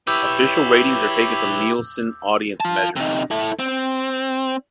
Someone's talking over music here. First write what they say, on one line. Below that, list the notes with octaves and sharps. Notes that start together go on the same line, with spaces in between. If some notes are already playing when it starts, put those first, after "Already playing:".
Official ratings are taken from Nielsen Audience Measurement.
E4 G4 B4 C#5 D6 E6 G6
F4 A5
C3 D#4
E4 A4
C4